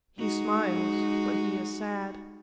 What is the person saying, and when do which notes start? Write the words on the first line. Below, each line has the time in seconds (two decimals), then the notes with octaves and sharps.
He smiles, but he is sad.
0.18 G#3 D#4 F#4